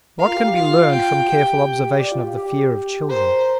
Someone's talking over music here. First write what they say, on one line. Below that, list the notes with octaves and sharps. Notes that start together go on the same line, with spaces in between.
What can be learned from careful observation of the fear of children?
A#4 F5
F4
G4
G4
F4 F5
G5
G4 G5
D5
F4
G4
G4
A#4 C5